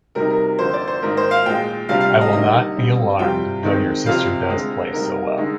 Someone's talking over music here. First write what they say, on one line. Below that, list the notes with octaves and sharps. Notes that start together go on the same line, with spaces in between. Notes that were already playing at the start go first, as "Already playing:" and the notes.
I will not be alarmed though your sister does play so well.
C3 G3 C4 D#4 A#4
A#4
F2 D3 F3 A#3 C5
D5
C5
G#2 D#3 A#3 D#4 A#4
C5
F5
A#2 F3 G#3 G5
C3 G3 D4 F4 F5
F5
D#5
D3 G3 A#3 D#4 D#5
D3 G3 C4
C3 G3 C4 F4 G5
D#3 G#3 C4
F2 C3 F3 C4 F4 F5
D3 G#3 C4
C3 G3 A#3 D#4 A#4
D3 G#3 D#4